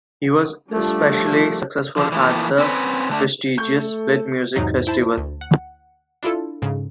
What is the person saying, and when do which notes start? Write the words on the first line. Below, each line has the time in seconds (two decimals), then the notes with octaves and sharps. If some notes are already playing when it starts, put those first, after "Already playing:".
He was especially successful at the prestigious Split Music Festival.
0.70 F3 G3 A3 D4
1.97 D3 F3
2.12 E3 F3 A3 A#3
2.59 C4 C#4 B4
3.09 D3 A3 D4
3.58 A3 A4 C#6 G6
4.56 E2 G#2 C3 F#3 D#4
4.87 E4 C5 A5
5.17 D2
5.41 F#5
6.23 D4 E4 F4 A4
6.62 G#2 C#3